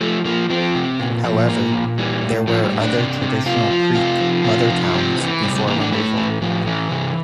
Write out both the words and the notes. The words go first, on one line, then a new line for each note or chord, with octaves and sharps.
However, there were other traditional Creek "mother-towns" before removal.
F3 A3
F3 A#3
F3 C4
C3
A#2
F3
A#2 A#3
A#2
E3 G3
A2
A2 F3
G3
A2
D4
C3
C3
C3 F4
F3
C3 F4
F3
C3 F4
F3
C3 C4
E3
C3 G3
G3
E3 A#3
D4
A2 A3
E3
A2 F3
E3
C3